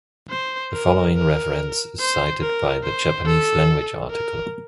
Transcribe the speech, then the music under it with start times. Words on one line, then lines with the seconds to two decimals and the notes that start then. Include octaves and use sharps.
The following reference is cited by the Japanese-language article.
0.30 C5
0.72 A#4
1.15 A#4
1.99 C5
2.42 A#4
2.84 C5
3.26 A4
4.11 A#4